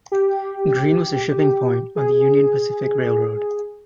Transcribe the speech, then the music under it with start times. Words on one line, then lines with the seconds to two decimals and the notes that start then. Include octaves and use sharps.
Green was a shipping point on the Union Pacific Railroad.
0.12 G4
1.96 G#4